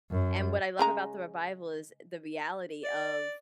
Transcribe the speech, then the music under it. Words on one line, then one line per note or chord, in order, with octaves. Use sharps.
And what I love about the revival is the reality of,
F#2
C#3 G#3 A#5
D5